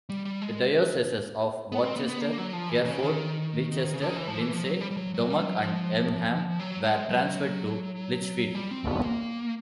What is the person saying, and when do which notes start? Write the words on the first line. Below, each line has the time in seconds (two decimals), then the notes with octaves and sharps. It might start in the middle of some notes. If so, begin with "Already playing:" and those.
The dioceses of Worcester, Hereford, Leicester, Lindsey, Dommoc and Elmham were transferred to Lichfield.
0.09 G3
0.25 G3
0.42 G#3
1.72 B3
1.84 C4
1.96 B3
2.03 A#3
2.08 B3
2.21 A#3
2.38 F#3
2.53 F3
2.69 E3
2.81 C3
2.85 C#3
3.03 D#3
3.94 C#3
4.01 D3
4.09 D#3
4.16 E3
4.28 F3
4.40 E3
4.53 F3
4.64 F#3
4.81 G3
4.91 G3
4.97 F#3
5.14 F#3
5.30 G3
5.46 F#3
5.62 F3
6.60 F#3
6.84 G#3
7.09 F#3
8.55 G3
8.71 C4
8.88 B3
9.05 A#3